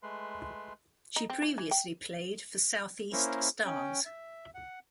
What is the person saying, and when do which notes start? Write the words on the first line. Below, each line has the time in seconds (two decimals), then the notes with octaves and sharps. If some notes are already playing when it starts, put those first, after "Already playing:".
She previously played for South East Stars.
0.03 G#3 A3 B4 C6
1.16 D#4
1.30 C4
1.42 E3
1.58 E3
1.71 G5
3.13 A#3 C#4 E4 A#4 C5
3.65 C#4 G5
4.06 E5
4.55 F#5